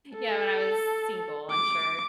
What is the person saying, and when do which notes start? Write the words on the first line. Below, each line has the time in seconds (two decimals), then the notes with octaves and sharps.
yeah, when I was single, I'm sure.
0.16 A4
1.51 D6